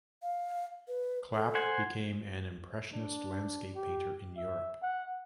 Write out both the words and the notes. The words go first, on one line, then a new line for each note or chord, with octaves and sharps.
Clapp became an Impressionist landscape painter in Europe.
F5
B4
A4
C5 F#5 G#5
D4
G4
E5
F#5